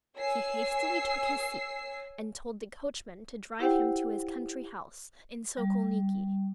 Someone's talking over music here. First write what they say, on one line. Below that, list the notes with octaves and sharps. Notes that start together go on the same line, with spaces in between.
He hastily took his seat and told the coachman to drive him to his country house in Sokolniki.
C#5 G#5 E6 C7
E4 G4 C5 F#5 G5
G3